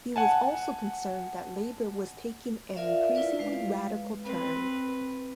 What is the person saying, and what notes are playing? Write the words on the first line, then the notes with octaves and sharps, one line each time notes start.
He was also concerned that Labor was taking an increasingly radical turn.
F#5 G#5 A5
F4 A#4 D5 E5 F5
E4 F4 B4 D5
G#3 B4 F5
C4 B4